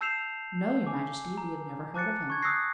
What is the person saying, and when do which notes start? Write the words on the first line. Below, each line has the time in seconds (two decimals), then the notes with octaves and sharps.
'No, your majesty, we have never heard of him.'
0.01 A5 E6 G6 C7 E7 F7
0.86 G#5 D6
1.38 A#5
1.94 A5 D6 F#6 A6 C#7
2.30 C#6 G#6
2.42 D#6 E6 F#6 G6 A#6 C7